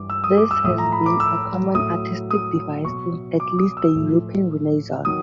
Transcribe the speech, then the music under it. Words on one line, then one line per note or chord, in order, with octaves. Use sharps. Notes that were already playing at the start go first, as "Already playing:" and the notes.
This has been a common artistic device since at least the European Renaissance.
Already playing: G2 E3 G3 D6
E6
D#6
D6
E6
A2 F3 D#6
A#5
B5
D6
E6
A2 F#3 D#6
D#6
B2 F#3 C#6
D6
D#6
E6
A2 F3
D#3 F#3 D#6